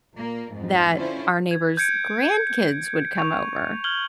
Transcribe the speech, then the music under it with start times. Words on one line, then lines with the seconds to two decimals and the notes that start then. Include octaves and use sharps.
that our neighbors' grandkids would come over.
0.14 A#2 A#3
0.53 F2 G#2
0.95 D3 C#4 E4 F4 C5
1.51 G#6
1.77 G6 G#6 C#7 D7
3.18 C#6 F7
3.84 F6 G6 G#6 F#7 G7